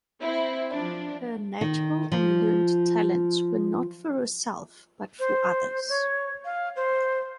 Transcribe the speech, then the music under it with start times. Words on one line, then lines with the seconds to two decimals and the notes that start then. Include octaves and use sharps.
Her natural and learned talents were not for herself but for others.
0.21 C4 E4
0.70 F3 D4
1.61 D#3
2.12 F3
5.19 C5
5.89 C#5
6.45 F5
6.76 C5